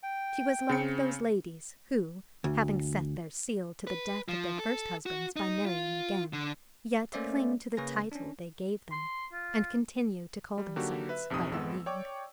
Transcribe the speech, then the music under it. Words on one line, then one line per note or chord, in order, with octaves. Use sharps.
She was like those ladies who, having set their seal to the death of their first husbands by marrying again, yet cling to the title they gave them, and continue to call themselves by their name.
G5
C#3 C4 C#7
D2
B4
F3
A4
F#4
D#4
F4
D3
A3 A#3 C#4 C5 D5 E5
C#3 A#3 C#4 B4 G#5 A#6
C#4 D4
C6
F4
G3
D3 F#3 A#3 D#4 F#4 G4
B4 E5
A#1 F2 C3 D#4 D#6
G#1 F2 G#3 B3 F#5 E6
C#5 D5 G5 C#6 D6